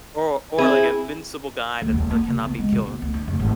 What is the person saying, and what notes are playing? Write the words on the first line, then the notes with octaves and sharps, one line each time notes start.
or or, like, invincible guy tha that cannot be killed.
C4 E4 G#4
D2
D#1
A#3
C3
B3
G#3
B2
B3
D2
D4
F1
G#1